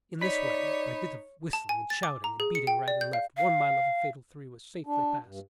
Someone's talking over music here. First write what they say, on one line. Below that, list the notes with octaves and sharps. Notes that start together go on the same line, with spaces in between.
In this way, by dint of whistling and shouting, and beating right and left, one mile of the fatal three was safely passed.
D#4 C#5 D5 B5 B6
A5
G#5
A6
D6
A#5
G#4
C#7
G5
D5
G6
F5
F5
D4
G2